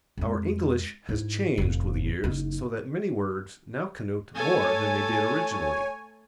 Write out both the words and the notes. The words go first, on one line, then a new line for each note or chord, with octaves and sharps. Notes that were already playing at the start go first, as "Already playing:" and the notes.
Our English has changed with the years so that many words now connote more than they did originally.
F2 G#3
G#2 E4
F1 A2
F#1 D#4
A3 A4 C#5 G#5